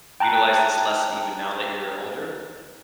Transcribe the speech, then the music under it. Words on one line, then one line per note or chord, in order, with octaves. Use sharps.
utilize this lesson even now that you're older?
G5 A5 A#5 F#6